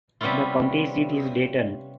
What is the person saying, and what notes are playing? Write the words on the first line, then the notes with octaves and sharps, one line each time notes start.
The county seat is Dayton.
C3 G3 B3 C#4 E4 F4